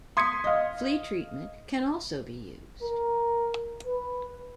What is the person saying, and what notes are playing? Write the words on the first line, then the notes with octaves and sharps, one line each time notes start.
Flea treatment can also be used.
C6 D#6 G#6 B6 C#7
D#5 F5
A#4
B4